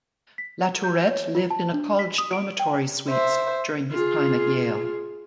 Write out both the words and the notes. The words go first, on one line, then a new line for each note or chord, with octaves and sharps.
Latourette lived in a college dormitory suite during his time at Yale.
B6
G6
C#5
F4
A5
D4
B6
D#6
D7
G5
C5 E5
F4 G#4